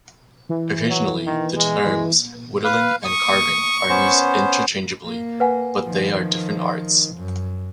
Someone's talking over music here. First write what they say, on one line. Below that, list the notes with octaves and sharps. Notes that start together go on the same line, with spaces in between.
Occasionally the terms "whittling" and "carving" are used interchangeably, but they are different arts.
E3
F#3
D#3
G#3
E3
B4 F5
C#6 D#6
B3 C#4 C5
A#3
B4 F#5 G#5
D#3 F3
F#2